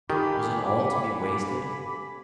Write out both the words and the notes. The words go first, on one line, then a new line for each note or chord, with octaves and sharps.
Was it all to be wasted?
D3 D#3 G4 F5 F#5 G#5 B5 D6